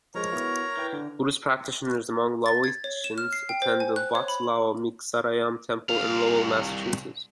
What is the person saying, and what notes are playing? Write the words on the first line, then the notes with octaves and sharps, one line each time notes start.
Buddhist practitioners among the Laotians attend the Wat Lao Mixarayam Temple in Lowell, Massachusetts.
F3 G#3 A#4 C#5 A#5
B3 E4 F#4
E4 B4 G5
D3
A6
G#6
C#5
E7
F6
C7
G5
C5
G#5
F#6
C#5
B5
C2 F5